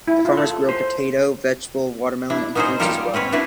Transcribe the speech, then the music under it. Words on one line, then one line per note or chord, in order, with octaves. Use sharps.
The farmers grow potato, vegetable, water-melon and fruits, as well.
E4
F4
A4
C5
D4 E4
B3 C#4 D#4 F#4 G#4 C5
G3 A#3 F4 G4 A4 A#4
C4 C#4 B4 C#5
D4 E4 F#4 B4